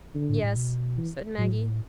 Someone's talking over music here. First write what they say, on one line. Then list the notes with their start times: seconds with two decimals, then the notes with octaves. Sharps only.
"Yes," said Maggie.
0.15 D3
0.29 A2
0.43 A2
0.56 B2
0.97 E3
1.38 A2 F#3